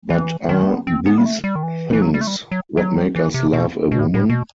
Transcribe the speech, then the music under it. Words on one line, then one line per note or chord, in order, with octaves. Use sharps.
But are these things what make us love a woman?
E3
D#3
A3
B3
C4
B3
G3
A3
G3
D#3
E3
E3
F#3
G3
A3
G3
F#3
F#3
E3
C3
B2
B2
A2
A2
B2